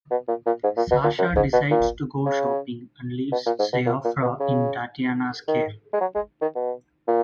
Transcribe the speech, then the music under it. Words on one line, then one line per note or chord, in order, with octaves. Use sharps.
Sasha decides to go shopping and leaves Sioffra in Tatiana's care.
B2
A#2
A#2
G#2
A#2
B2
A#2
F#2
G#2
B2
A#2
C#3
B2
A#2
G#2
B2
A#2
A#2
B2
C#3
D#3
G#3
F#3
G#3
D#3
B2
A#2